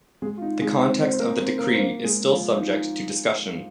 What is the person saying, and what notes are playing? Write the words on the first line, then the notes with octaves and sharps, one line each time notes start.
The context of the decree is still subject to discussion.
G#3 G#4
F4
D#4
G#3 G#4
C4 C5
C4 C5
C5
A#3 A#4
C4 C5
A#3 A#4
C5
A#3 A#4
G#3 G#4
F3 F4
D#4